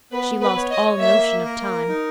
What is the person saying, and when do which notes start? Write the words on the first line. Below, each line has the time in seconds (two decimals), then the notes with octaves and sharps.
She lost all notion of time.
0.12 B3 B4
0.42 B4
0.56 C#5
0.71 D#5
1.00 A#3 E5
1.45 A#4
1.89 D#4